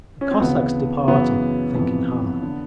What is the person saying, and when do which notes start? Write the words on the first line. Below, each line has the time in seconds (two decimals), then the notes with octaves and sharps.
The Cossacks departed, thinking hard.
0.21 C#4
0.31 C4
0.40 D2 C#3 E3 B3
1.08 F#2 C#3 E3 B3
1.75 F2 C3 E3
2.42 D3